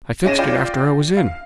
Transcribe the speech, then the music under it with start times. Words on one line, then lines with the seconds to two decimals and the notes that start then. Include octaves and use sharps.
"I fixed it after I was in."
0.25 B1 C#4 G#4 A#6 D#7 E7
0.39 F4 D5 G5
1.17 F5